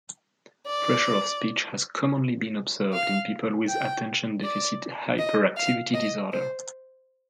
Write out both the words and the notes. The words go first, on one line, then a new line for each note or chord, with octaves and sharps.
Pressure of speech has commonly been observed in people with attention deficit hyperactivity disorder.
D5
F5
G5
D5
D#5
F5
D#5
C5